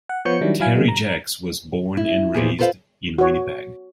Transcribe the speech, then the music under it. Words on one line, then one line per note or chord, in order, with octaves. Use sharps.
Terry Jacks was born and raised in Winnipeg.
F#5
F3 B3 C#5 G6 C#7
D#3 F#3 G3 D4 E4
F#3 E4 F5 G#5
C#3 E3 F#3 G#3 A#3
A#5
E4
A#2 F3 B3 G4 G#4
F4 A4 B4 C5 F5
F#4 C#5